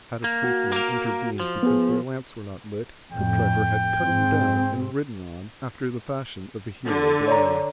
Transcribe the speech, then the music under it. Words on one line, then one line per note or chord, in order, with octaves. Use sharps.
Had a policeman intervened because their lamps were not lit, Hoopdriver had cut him down and ridden on, after the fashion of a hero born.
A#3
F#4
A#3 A#4
F3
B3 G#4
F2 A2 G5
G#2 C4
D3
C#5 D5 A#5